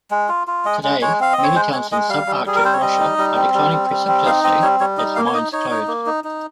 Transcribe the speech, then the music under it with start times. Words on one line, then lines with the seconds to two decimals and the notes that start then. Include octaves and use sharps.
Today, many towns in subarctic Russia are declining precipitously as mines close.
0.11 G#3
0.29 F4
0.47 F4
0.65 G#3 D#5
0.83 G#3
1.01 G#3 C#5
1.20 C4 F5
1.33 D#5
1.38 C4
1.44 C#5
1.55 G#3 C5
1.73 G#3 C#5
1.91 G#3 D#5
2.09 G3 F5
2.27 G3
2.46 G3 G#4
2.56 A#4
2.64 C4 C5
2.73 C#5
2.82 G3 D#5
3.00 D#4
3.18 G3
3.36 C4
3.54 G3
3.72 C4
3.90 G3
4.07 C4
4.25 D#4 F5
4.44 C4 D#5
4.62 G3 C#5
4.80 G3 C#5
4.97 D#4 D#5
5.16 A#3 F5
5.26 C#5
5.34 D#4 D#5
5.53 D#4 C#5
5.71 D#4
5.88 A#3
6.06 D#4
6.24 D#4